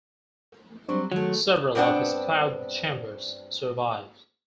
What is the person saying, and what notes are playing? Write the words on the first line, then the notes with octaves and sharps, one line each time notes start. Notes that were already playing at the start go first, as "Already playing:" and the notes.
Several of his cloud chambers survive.
F#3 G3 C4 D4 C5 C#6
D#3 F#3 G#3 A3
G2 B3 C4 D4 F#5